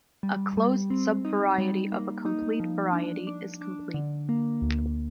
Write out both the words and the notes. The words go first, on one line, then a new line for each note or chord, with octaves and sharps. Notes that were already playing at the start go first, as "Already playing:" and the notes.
A closed subvariety of a complete variety is complete.
G3
G3
C4
D#4
G3
A#3
D#4
F3
D4
D4
D4
D3
A#3
D2